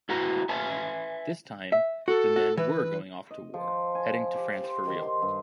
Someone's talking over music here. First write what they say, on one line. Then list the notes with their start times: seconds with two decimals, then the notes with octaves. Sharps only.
This time, the men "were" going off to war, heading to France for real.
0.09 E4 F#4 B4 A#5
0.49 B4 E5 G#5 A5
1.72 E5
2.08 F#4 A4
2.36 F#4
2.57 E3 B4
3.31 D#5
3.54 F3
3.95 G#5
4.36 G4
4.63 C5
4.87 D#3
5.02 C6
5.22 G2